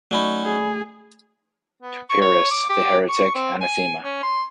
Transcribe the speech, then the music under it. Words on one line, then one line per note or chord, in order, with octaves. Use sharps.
To Pyrrhus, the heretic, anathema!
F#3 A3 C#4 D#4 D5 B5
G#4
B3
C#6
C#5
D6
G4
C#6
C4
G#5
C#4
C6